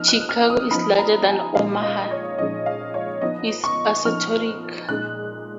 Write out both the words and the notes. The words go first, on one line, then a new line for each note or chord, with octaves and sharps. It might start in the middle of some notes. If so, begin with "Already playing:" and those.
"Chicago is larger than Omaha" is assertoric.
Already playing: F3 B3 D#4 F6
F#6
F6
D#6
F3 B3 D#4 B5
A#5
G#5
A#2 F3 G#3 D#4 F5
D#5
C#5
A#2 F3 G#3 D#4 D#5
F5
C#5
F3 B3 D#4 D#5
C#6
F3 B3 D#4 F6
A#2 G#3 D#4 F#6